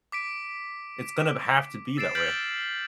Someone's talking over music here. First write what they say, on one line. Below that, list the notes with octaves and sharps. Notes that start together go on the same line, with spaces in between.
It's gonna b have to be that way.
D6 B6 D7
E6 A6 C7 D7 E7
F6 G6 A6 B6 D7 F#7